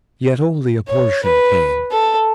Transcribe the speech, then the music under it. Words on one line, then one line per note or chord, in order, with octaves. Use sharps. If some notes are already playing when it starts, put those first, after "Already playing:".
Yet only a portion came.
C#5
B4
A4